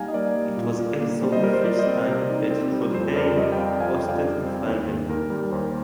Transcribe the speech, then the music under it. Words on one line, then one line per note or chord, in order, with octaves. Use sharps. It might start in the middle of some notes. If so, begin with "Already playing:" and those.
It was also the first time that Trondheim hosted the final.
Already playing: G3 A#3 D#4 F5 G5 G#5 A#5
D#5
A#3 A#4 D5
G3
A#2
A#3
A#3
G3 C5
C5 D#5
G3 A#4
C5
G3 A#4 D5
C5 D#5
C4
C3
D#4
C4
G3
F2 C5
F2 A#4 D5
G3 C5 D#5
G5
C4 D5 F5
F2 F5 G#5
D#5 G5
F2
D5 F5
G3
C4
D#2
D#2
D#2 A#4
G3 A#4
D#2 C5